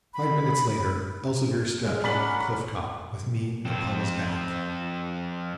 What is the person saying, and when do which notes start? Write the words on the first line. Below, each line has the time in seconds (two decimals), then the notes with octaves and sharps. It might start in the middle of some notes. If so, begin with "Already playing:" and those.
Five minutes later Elzevir stepped on to the cliff-top, with me upon his back.
0.14 B5
1.85 G#3 F6
2.04 C#4 D4 A#4 F#5 B5 B6 F#7
3.65 F2 C4